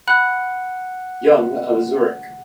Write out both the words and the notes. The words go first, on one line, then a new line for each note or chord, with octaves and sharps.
Jung of Zurich.
F#5 B5 F#6